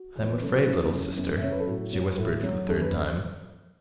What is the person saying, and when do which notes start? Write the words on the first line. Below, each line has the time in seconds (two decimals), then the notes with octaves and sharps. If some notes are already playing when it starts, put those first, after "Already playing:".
"I am afraid, little sister," she whispered for the third time.
Already playing: F#4
0.16 E2 C#5
0.30 B4
0.41 C#3 F#3 A4
0.54 F#4
0.66 F#2 E4
0.91 C#3 F#3
1.17 F#2
1.38 E5
1.42 C#3 F#3 C#5
1.52 B4
1.60 A4
1.67 A2 F#4
1.93 F#3
2.18 A2
2.43 F#3
2.69 F#2 A4
2.82 B4